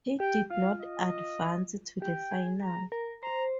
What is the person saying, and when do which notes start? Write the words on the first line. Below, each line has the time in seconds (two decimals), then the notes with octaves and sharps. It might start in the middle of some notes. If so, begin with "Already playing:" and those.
He did not advance to the final.
0.20 G4 G5
0.50 F4 F5
0.80 D#5
2.02 G4 G5
2.31 G#4
2.62 A#5
2.92 A#4
3.23 C5 A#5